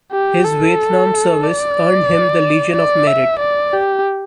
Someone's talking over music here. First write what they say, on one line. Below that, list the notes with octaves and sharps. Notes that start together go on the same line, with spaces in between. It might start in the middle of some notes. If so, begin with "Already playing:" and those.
His Vietnam service earned him the Legion of Merit.
G4
A4
D5
D5
E5
D5
G4